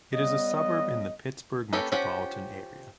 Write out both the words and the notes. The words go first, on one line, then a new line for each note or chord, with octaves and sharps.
It is a suburb in the Pittsburgh metropolitan area.
C#3 G3 B3 D#5
A#3 C#4 G4 A4 B4
F3 C#4 G4 F#5